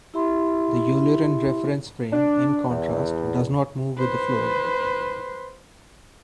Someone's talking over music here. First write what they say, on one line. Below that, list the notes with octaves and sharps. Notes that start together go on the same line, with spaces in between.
The Eulerian reference frame, in contrast, does not move with the fluid.
E4 G4 E5 B5 C6
D4
E2
B4 C5